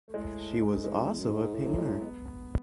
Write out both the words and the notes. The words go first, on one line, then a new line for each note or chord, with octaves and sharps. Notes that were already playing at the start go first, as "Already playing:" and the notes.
She was also a painter.
A3
A2 G#3
G#2 G#3
A3
G#3
G#2
F#2 G#3
E2
F#2
G#2
G#2
A2
F#3
G#3
A3
B3
B3